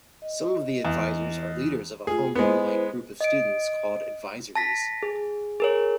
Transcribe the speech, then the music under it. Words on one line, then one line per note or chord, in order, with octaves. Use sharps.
Some of the advisors are leaders of a homeroom-like group of students, called advisories.
D#5
E2
A3 F4 G#4
G#3 B3 E4 B4 C5
D#5 D7
A5 A#6 B6
G#4
G#4 A#4 C#5